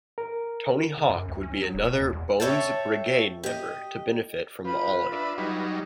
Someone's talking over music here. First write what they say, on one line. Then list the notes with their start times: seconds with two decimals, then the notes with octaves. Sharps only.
Tony Hawk would be another Bones Brigade member to benefit from the ollie.
0.18 A#4
0.98 C#3
1.10 F#2
1.28 D2
1.43 C#4
1.61 F#3
1.75 E1
1.87 B2
2.01 D#2
2.13 E2
2.40 A4 C#5 D5 E5 G5 A5
3.44 G4 D#5
4.65 F3 F4 B4 B5
5.12 D4 E5
5.38 F#3 G3 D#4